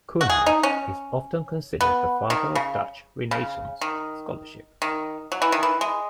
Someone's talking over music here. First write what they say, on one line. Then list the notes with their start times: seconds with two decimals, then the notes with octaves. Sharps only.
Coornhert is often considered the Father of Dutch Renaissance scholarship.
0.21 F#4
0.30 G#4
0.46 D#4
0.63 C#4
1.81 B3
2.30 D#3
2.55 C#3
3.31 C#3
3.81 D#3
4.82 D#3
5.32 F#3
5.42 E3
5.52 D#3
5.63 E3
5.81 G#3